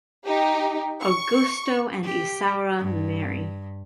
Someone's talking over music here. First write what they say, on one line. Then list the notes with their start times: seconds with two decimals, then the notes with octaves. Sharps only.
Augusto and Isaura marry.
0.24 D#4 G4
1.02 C#6
2.03 G4
2.78 G2